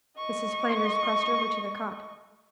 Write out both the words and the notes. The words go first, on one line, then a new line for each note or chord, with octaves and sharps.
Mrs. Flanders crossed over to the cot.
D#5 C#6